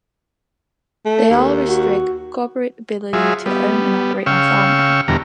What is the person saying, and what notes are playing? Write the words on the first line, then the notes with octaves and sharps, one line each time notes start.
They all restrict corporate ability to own and operate on farmland.
A3
D#2
F#4
F#3 F4 G#4 E5
G3 B3
C#3 F5 G5 C#6 E6
E2 B2 D3 G3 A#5